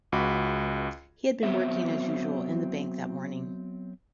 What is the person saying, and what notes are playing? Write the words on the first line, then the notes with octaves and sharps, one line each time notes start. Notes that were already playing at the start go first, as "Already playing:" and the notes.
He had been working as usual in the bank that morning.
C#2 F#4 B5 D6
F#3 B3 C4 E5